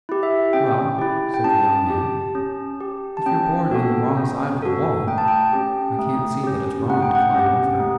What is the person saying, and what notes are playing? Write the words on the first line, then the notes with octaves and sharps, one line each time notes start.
"Well," said the young man, "if you're born on the wrong side of the wall, I can't see that it's wrong to climb over it."
E4 G4
E5
C#4 G5
E4 G4
G5
C#4 A5
G4
C#4
G4
A5
C#4 G5
F#4 A4
C#4
F#4 A4
A3 G5
A5
G5
C#4 G4
A3
C#4 G4
A3 F#5
G5
F#5
C#4 G4
A3